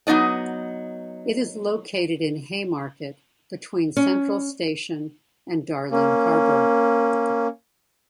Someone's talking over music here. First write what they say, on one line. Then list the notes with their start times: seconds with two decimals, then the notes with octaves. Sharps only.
It is located in Haymarket, between Central Station and Darling Harbour.
0.07 F#3 B3 D#4 D5 D#5
3.97 C#4
5.91 A#3 C#4